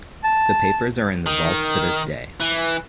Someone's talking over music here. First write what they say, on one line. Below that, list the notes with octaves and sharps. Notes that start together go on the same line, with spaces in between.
The papers are in the vaults to this day.
A5
D#3
E3